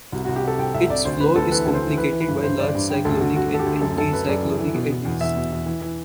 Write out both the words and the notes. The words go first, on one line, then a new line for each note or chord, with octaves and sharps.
Its flow is complicated by large cyclonic and anticyclonic eddies.
C2 F#4
C2 F#4
G4
C3 A4
C2 G5
C2 E5
C2 D5
D2 C5
D2 B4
D2 A4
E3 B4
D2
C5
E3
E3 B4
E3
B4
G2
G2 C5
G2 D5
G2
D3 G5
D2 A4
D2 F#4
D3 F#4
D3 A4
G4
D2
F#2 A4
F#2 A4
F#2 B4
F#2 D5
E3
E3
B2
B2
E2
E2 E5
B2
E2
E3
E3